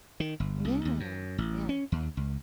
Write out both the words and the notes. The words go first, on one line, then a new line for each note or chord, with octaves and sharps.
Yeah, yeah.
D#3
G1
C2
D#2
F#2
A1
C#4
D#2
C#2